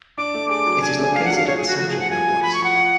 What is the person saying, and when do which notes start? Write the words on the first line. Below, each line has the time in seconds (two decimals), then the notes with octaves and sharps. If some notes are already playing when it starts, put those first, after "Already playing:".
It is located in the center of the oblast.
0.18 D4 D6
0.34 A3
0.49 G#4 D6
0.66 F#3
0.82 D4 G#5
0.98 A3
1.14 G#4 F5
1.25 F#5
1.30 F#3
1.36 F5
1.46 F4 C#5
1.57 G#4
1.62 A3
1.67 F#4
1.79 F3 F#4
1.89 F3 G#4
2.00 F#5
2.10 F4 G#5
2.27 A3
2.42 F3 B5
2.54 C#6
2.59 F3 F#5
2.75 F4